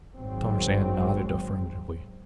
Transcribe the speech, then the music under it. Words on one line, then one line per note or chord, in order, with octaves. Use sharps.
Tarzan nodded affirmatively.
G#1 G#2 F#3 C4